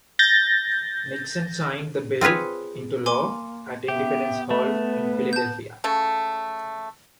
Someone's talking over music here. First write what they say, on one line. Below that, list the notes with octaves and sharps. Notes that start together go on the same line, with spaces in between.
Nixon signed the bill into law at Independence Hall in Philadelphia.
G6 A6 A#6
C4 F4 G#4 B4 C#5
A#3 G#5 C6 D6
B3 G4 E5
A3 B4
A5 G6
C#3 A3 A4